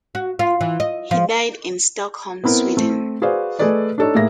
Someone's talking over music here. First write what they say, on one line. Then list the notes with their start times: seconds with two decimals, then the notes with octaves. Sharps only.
He died in Stockholm, Sweden.
0.15 F#4
0.39 F4
0.61 E3
0.80 D#5
1.11 F3
2.44 B3 C4 E4 A#4
2.77 A3 C4
3.22 F#4 G#4 B4 C5 D5 F5
3.59 A3 G#4 A4 B4 D5 D#5
3.98 D4 D#4 A4 C#5
4.15 A2 A#3 G#4 E5 A#6